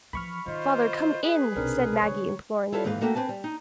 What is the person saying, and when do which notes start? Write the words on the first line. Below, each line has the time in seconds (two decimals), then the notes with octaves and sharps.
"Father, come in!" said Maggie, imploringly.
0.13 E3 F3 B5 C#6 F6
0.46 D#3 F4 C5 D#5
1.22 G#4 B4
1.56 B1 C3 C4 D4 A#4
2.02 D3 G#3 C#5
2.72 E4 F4 A4 B4 C#5
2.84 D#2 G#2 E3 B4 F5
3.01 A3 A#3 F#4 A4 E5 G5
3.15 C4 B4 G#5 A5
3.29 G3
3.44 D#4